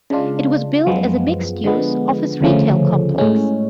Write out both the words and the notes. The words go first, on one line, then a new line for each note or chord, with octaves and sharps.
It was built as a mixed-use office-retail complex.
C#3 G#3 D4 F4
F#2 F3 G#3 B3 F4
D3 F3 G#3 B3
D2 C#3 F3 A3 C#4
A2 G#3 C#4